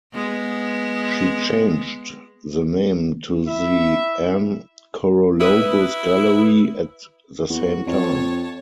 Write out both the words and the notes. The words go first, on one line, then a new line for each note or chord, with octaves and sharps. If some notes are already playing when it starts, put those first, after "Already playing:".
She changed the name to the Ann Korologos Gallery at the same time.
G#3 B3
E4 E5
E4 B4 D#6
E2 F#4
F2 C#5 A5